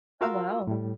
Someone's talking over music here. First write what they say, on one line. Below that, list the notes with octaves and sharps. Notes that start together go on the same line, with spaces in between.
Oh, wow.
F4 F#4 A#4 F5 C6 E6
A2 G3